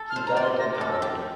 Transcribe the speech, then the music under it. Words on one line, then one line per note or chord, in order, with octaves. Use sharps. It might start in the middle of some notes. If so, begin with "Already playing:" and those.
He died in Albany.
Already playing: A4
F6
C5
A#5
D5
C6
A#6
D6
A4
E6
G4